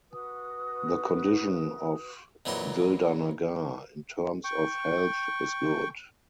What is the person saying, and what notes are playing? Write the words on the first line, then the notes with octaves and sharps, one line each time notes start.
The condition of Dildarnagar in terms of health is good.
F#4 B4 D#6
F2 A#2 E3 F#3 C6
G5 C#6